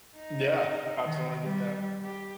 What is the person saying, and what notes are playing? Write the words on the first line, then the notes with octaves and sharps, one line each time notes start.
Yeah, I totally get that.
D#4
D#3
G3
G4